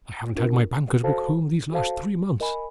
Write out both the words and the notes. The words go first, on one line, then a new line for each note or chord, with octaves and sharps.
I haven't had my banker's book home these last three months.
D4 F4 A#4
F#4 A4 C5 F5 A5
F#4 A4 C5 F5 A5
A#4 D#5 G#5 B5